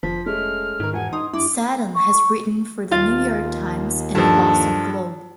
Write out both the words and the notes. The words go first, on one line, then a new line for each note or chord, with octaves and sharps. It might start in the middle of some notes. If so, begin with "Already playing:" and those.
Seddon has written for the New York Times and the Boston Globe.
F1 F3 B6
G#3 A3 C#4 F6
G#2 D#3 A#4
E1 F#5 G#5
D#4 C6 D#6
G2 E4 D6
C#6
D#2 F4 F5 A6
G2 F3 A4